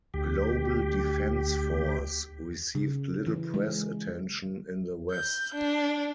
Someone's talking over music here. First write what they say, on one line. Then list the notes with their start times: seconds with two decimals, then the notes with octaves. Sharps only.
"Global Defence Force" received little press attention in the West.
0.14 D2 G4
2.75 C#3
3.27 E3
3.54 G#3
5.11 G6
5.54 D4